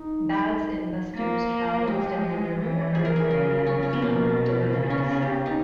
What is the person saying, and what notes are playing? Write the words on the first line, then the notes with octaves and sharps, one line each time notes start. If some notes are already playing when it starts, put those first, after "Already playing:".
Babs and Buster's travels down the river are a parody of the film "Deliverance".
Already playing: D#4
A#3
G#3 G4
E3
G#4
A#4
G#4
C#3 A#4
C#4
C#4
B3
B2 A#3
C#3
C#4
B3
G#4
G4
D#4